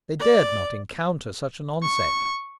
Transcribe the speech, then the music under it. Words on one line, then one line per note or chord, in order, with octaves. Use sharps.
They dared not encounter such an onset.
D5
C#6